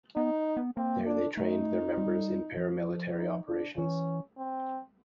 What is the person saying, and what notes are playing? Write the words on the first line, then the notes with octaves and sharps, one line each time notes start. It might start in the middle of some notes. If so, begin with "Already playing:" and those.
There they trained their members in paramilitary operations.
B3 D#4
B3
A#3 C4
D4
A3 D#4
G3
F3
D#4
D4
E3 C#4
C4